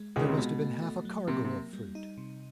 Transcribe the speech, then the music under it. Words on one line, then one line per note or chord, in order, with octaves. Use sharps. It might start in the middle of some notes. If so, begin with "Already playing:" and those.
There must have been half a cargo of fruit.
Already playing: G#3
C#2 C#3 F4
C3
B2 G#3
A3
A3
F#3
C3 A#3
C3
A#3
G3
D#4
C3